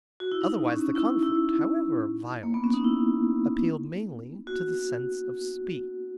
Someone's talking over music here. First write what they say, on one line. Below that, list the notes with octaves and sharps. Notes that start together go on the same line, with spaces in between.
Otherwise the conflict, however violent, appealed mainly to the sense of speed.
F#4
E4
D#4
C#4
E4
E4
A#3
B3
C#4
D#4
E4
F#4